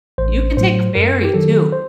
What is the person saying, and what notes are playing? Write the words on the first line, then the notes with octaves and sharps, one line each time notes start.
You can take a ferry too.
A1 C5
A2 F#3 C5
F#2 A#4
G4
D#3 F#3 A4
C5